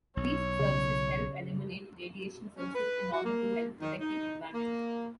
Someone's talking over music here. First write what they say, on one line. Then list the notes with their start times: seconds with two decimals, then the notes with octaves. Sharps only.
These services help eliminate radiation sources in order to help protect the environment.
0.17 B1 C#5
0.59 C#3
2.58 C#4
2.74 B4
3.11 F#4
3.24 A#3
3.80 D#3
4.00 D#4
4.54 A#3